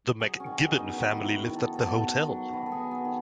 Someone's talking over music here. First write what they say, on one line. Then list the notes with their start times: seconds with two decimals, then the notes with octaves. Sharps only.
The McGibbon family lived at the hotel.
0.20 F#3 G#4
0.40 C#4
0.46 D#3
0.60 D#4
0.72 B3
0.78 D#4
0.97 D#3 D#4
1.17 E4
1.24 F#3
1.49 D#3
1.56 A4
1.75 B3 A4
2.01 D#3
2.27 F#3
2.53 D#3 B4
2.66 A4
2.72 G#4
2.79 B3
2.91 A4
3.05 D#3